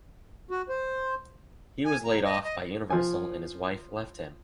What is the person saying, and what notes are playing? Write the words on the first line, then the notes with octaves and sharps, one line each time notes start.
He was laid off by Universal and his wife left him.
F#4
C5
G#5
A#5
D#5
D#5
F3 G#5